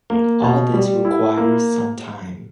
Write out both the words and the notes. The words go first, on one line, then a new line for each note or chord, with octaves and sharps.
All this requires some time.
A#3
B2
G3
E4
A#3